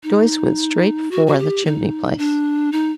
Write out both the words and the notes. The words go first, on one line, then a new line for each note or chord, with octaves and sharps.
Joyce went straight for the chimney-place.
D#4
F#4
F#4
G4
D#4
D4
D#4